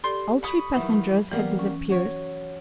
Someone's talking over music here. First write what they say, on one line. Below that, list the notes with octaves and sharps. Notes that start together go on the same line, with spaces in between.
All three passengers had disappeared.
G4 A4 D5 C6
B5 C#6 D#6
D#3 E3 F#3 E5 F#5
E3 G3 A#3 B3
C#4
F#4 C#5